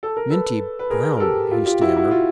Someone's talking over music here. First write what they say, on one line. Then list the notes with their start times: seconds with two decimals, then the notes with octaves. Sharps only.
"Minty Brown!" he stammered.
0.03 A4
0.17 A#4
0.30 A4 B4
0.79 B4
0.90 G#4 A#4
1.17 A#4
1.20 G4 A4
1.51 F4 G4
1.66 F4 G4
1.81 E4 F#4
1.96 E4 F#4
2.11 F4